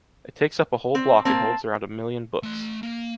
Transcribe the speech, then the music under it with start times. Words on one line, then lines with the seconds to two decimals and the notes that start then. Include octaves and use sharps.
It takes up a whole block and holds around a million books.
0.95 C4
1.25 A#3 C4 A5
2.43 A3 C6
2.83 A#3